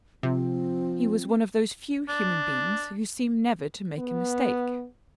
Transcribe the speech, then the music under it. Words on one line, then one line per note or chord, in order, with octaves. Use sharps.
He was one of those few human beings who seem never to make a mistake.
C3 F3 C4
D4
B3